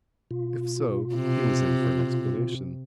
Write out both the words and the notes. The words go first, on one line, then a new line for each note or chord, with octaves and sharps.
If so, he was in for an explanation.
B2 F4
C3